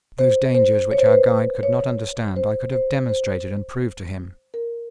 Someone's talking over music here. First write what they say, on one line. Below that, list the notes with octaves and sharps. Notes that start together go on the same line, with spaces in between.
Those dangers which our guide could not understand I could have demonstrated and proved to him.
C5
C5
C#5
C5
B4
C5
C#5
C5
C5
C5
A#4